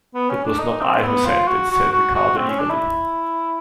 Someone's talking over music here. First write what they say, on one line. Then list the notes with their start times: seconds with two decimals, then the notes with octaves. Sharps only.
"It was not I who sent it," said Ricardo eagerly.
0.14 B3
0.29 C#4
0.45 D4
0.59 D#4
0.81 C4
1.03 B3
1.26 F4
1.48 F#4
1.70 F#4
1.92 F#4
2.15 F#4
2.37 C4
2.48 C#4
2.59 D4
2.70 E4